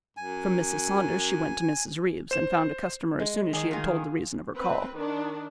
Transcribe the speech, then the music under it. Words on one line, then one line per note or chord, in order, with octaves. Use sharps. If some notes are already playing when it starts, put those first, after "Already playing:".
From Mrs. Saunders she went to Mrs. Reeves and found a customer as soon as she had told the reason of her call.
F#2 G#5
C5 E7
G#3
D#3 G#4 D5 D#5
F4 F#4 G#4 F5
C4 B4
D#3 D4